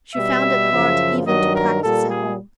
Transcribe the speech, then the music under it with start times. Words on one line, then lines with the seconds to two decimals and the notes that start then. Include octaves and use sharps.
She found it hard even to practice at home.
0.13 B2 G3 E5
0.70 F#2 C#3 F3
1.26 G2 D#3 F#3 D#5
1.54 A#4
1.82 A#2 G3 A4
2.10 G#4